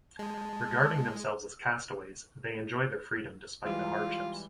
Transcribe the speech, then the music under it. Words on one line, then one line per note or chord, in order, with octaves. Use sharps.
Regarding themselves as castaways, they enjoy their freedom despite the hardships.
G#3 A5
E3 G3 G#3 F4